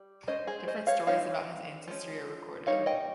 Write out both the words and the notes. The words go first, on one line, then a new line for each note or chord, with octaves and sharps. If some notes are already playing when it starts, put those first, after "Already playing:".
Different stories about his ancestry are recorded.
Already playing: G3
G#3 C#4 C5 D#5
G#4 C5
C5 D#5
C#5 F5
G3 C4 D#4 C#5 F5
F3 G#3 C#4
G3 A#3 D#4 C#5 F5
D#5 G5